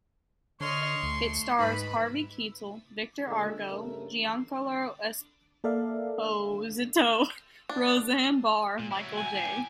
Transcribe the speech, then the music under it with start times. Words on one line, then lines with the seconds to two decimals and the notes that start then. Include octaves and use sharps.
It stars Harvey Keitel, Victor Argo, Giancarlo Esposito, Roseanne Barr, Michael J.
0.61 D3 C#5 D#5 C6 C#6 F6
1.03 D2 A3
1.59 G#2 D#4 B4 B5
3.27 A#2 D3 G#3 A3
3.70 G2 C#3 A3 A#4
5.64 A#3 A4 A#4 D5 E5 F5
7.69 D4
8.79 A#2
8.92 F#3 E4
9.18 G#5
9.34 A2 G4